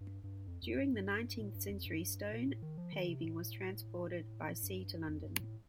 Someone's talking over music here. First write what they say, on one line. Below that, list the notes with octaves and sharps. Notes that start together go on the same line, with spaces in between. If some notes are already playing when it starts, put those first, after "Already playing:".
During the nineteenth century stone paving was transported by sea to London.
G2
G2
F2
F2
G2
G2
A2
G2
F2
G2
A#2
A2
D#3
F3
D#3
C3
A2
G2
F2
G2
A2